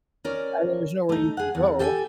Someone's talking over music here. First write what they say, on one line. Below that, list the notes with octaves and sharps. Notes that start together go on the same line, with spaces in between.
I there's nowhere you can go.
C#4 A#4 D5
A3 D#4
G#4 F#5
E2
G4 A4 D#5 F5 G5 G#5